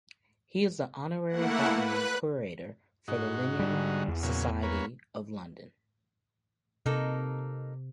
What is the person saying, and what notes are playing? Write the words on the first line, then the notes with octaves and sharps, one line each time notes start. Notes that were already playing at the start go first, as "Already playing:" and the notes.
He is the honorary botany curator for the Linnean Society of London.
A3 A#3 E4 F#5
B4 F#6
G#2 D#4 F#4
D3 G3
E2
A#2 C#3 F#3
A#3 B4 C#5
C3 A#3 D#4 A4